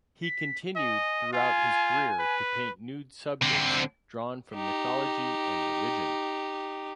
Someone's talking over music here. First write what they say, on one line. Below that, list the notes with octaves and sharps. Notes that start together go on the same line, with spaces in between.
He continued throughout his career to paint nude subjects drawn from mythology and religion.
B6
D#5 G#5
F4 G#5
B4
D3 C4
D#4 G4